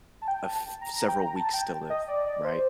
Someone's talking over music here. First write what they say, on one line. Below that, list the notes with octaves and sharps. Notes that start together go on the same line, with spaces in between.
a th several weeks still live, right?
A5
G5
A5
A#5
A#5
G5
A#5
A5
G5
D#5
D5
D5
C5